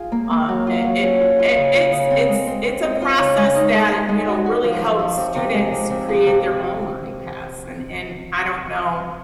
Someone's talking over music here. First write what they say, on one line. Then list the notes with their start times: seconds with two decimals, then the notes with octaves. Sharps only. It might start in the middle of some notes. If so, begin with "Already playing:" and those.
uh, i i i it's it's it's a process that, you know, really helps students create their own learning paths, and and, I don't know
Already playing: F4 G#4
0.12 A#3
0.30 A#3
0.49 F#3
0.67 F4
0.85 F#3
1.03 C#4
1.21 F4
1.39 F4
1.57 C#3
1.75 F4
1.92 C#3
2.11 C4
2.29 G#3
2.47 C4
2.65 C4
2.83 C4
3.02 F4
3.19 C#3
3.37 G#3
3.55 D#4
3.73 G#3
3.92 D#4
4.09 G#3
4.27 F#4
4.46 F#4
4.64 F3
4.81 F3
4.99 F3
5.17 C3
5.36 C3
5.54 G#3
5.72 C3
5.90 C3
6.08 F3
6.26 C3